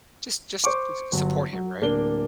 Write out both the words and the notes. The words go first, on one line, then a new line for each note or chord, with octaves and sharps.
Just just just support him, right?
C5 C#6 D6
G1 F#3
F#3
D1 A#3 D4 G7